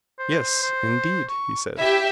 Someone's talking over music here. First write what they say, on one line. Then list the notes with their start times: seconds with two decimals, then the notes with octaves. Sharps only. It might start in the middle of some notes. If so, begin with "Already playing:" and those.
Yes, indeed, he said.
0.19 C5
0.62 C5
1.29 C#6
1.78 E4 G4 E5